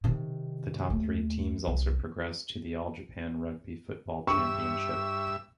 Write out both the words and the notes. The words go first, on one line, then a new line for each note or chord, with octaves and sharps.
The top three teams also progressed to the All-Japan Rugby Football Championship.
C3 D#3
D#2 A3
C2
G2 E5 C#6 E6